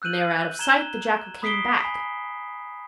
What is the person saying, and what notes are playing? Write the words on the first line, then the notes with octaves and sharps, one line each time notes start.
When they were out of sight the jackal came back.
E6 F#6 G6 D#7 F#7
A#5 G#6 E7 G7
B5 D#6 B6 C7 D7 G7
G#5 B5